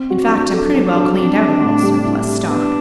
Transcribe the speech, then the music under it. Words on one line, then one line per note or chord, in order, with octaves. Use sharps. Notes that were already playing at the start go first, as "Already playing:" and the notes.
In fact, I'm pretty well cleaned out of all surplus stock.
Already playing: C4
F#4
D4
F#4
D4 A4
F#3
D4
F#3
C4 D4
G3
A2
G3
E4
G3
B3 D4